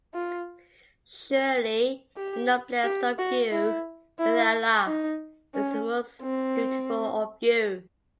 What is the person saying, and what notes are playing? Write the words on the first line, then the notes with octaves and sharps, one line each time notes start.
Surely the noblest of you with Allah is the most dutiful of you.
F4
G4
G4
F#4
E4
E4
D#4
C#4
C4